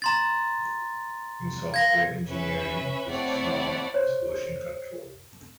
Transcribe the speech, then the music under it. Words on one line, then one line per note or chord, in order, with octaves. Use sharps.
In software engineering, this is known as version control.
A#5 C6 A6
F5 G#6 A#6
C#4 B4 E5
A3 C4 E4 C#5 D5 F#5
C5 C#5